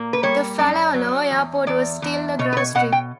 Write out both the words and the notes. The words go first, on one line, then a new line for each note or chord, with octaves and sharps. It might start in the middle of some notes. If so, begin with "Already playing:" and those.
The Faleolo airport was still a grass strip.
Already playing: A#2 A#3
B4
G3 C#5
F#2 D5
F#3
E2
E2 D5
E2
B2 C#5
B4
C#5
B2 F#5
G5